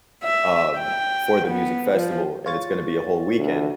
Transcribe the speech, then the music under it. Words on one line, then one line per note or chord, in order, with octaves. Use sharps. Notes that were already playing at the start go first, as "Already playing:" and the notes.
um, for the music festival, and it's gonna be a whole weekend,"
E5
G5
B3
F3
F4 C#5 A6
D2